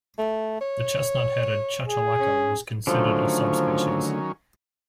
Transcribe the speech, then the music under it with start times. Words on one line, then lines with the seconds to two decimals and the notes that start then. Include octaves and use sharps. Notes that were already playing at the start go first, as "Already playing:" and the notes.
The chestnut-headed chachalaca was considered a subspecies.
0.18 A3
0.61 C#5
1.88 G#4
2.20 C#4
2.87 D3 D#3 F3 F#3 A3 C#4